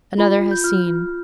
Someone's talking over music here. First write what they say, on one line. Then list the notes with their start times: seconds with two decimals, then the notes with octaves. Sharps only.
Another has seen....
0.18 F4 B5
0.41 F4
0.51 G6
0.64 F4 F6
0.87 F4